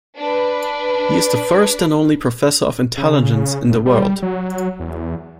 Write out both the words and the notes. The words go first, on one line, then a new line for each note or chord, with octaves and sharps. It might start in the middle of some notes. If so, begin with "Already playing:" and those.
He is the first and only Professor of Intelligence in the world.
D4 B4
C#3
A2
G3
F#3
E2